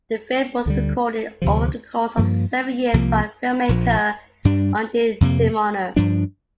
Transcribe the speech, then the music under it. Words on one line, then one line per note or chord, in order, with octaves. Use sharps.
The film was recorded over the course of seven years by filmmaker Ondi Timoner.
D2 D3 G3
D2 C3 F3
G2 F3 A#3
C2 C3 F3 A#3
A#1 A#2 F3
G2 G3 D4
F2 C3 A#3
G2 F3 D4